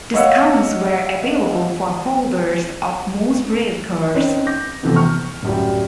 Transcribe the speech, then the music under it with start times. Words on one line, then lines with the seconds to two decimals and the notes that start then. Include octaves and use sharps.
Discounts were available for holders of most Railcards.
0.14 C#5 D#5 F5 F#5 E6
4.15 C4 C#4 D#4 B4
4.47 D6 G6 A#6
4.83 C3 E3 F3 A3 B3
4.96 C#6 F6
5.43 D1 F#2 G3